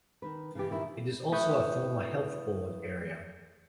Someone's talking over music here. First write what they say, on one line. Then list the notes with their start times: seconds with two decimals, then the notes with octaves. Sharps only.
It is also a former health board area.
0.22 D#3 B4
0.55 C#3 E3 G4
0.70 A#2 D#3 E4
1.32 A3 E4 B4 C#6 D#6 G6